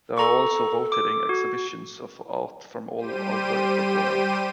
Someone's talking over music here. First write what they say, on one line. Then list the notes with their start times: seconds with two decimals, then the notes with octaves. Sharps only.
There are also rotating exhibitions of art from all over the world.
0.18 A4 A#5 C#6
0.92 D6
1.29 F#4
2.97 G3 G4 C5 G5 D#7